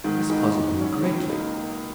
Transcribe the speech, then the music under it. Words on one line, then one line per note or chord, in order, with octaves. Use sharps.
This puzzled me greatly.
G#2 D#3
D#3 E3 G#3 D#4
G#2
F#3 C#4 E4
C#2
B2 A#3 D#4